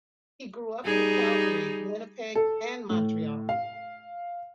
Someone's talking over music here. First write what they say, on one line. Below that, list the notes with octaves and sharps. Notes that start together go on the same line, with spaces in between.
He grew up in Calgary, Winnipeg, and Montreal.
G3 D#4 G#4
A4
A2
F5